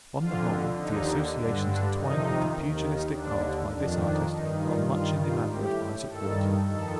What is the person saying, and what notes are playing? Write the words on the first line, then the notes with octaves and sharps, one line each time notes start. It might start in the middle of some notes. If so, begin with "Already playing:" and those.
On the whole, the associations entwined with the pugilistic art by this artist are much in the manner of Izaak Walton.
F2 D3 F4
D#2 D3 D#4
G2 D3 D4
D4
F2 C3 D#3 D#4
D#2 D#3
D#2 D3 D4
F2 D#3 D4
D4
G2 D#3 D#4
F4
G2 D#3 F4
F4
A2 G4
G2 D#3 A4
F2 D#3 A4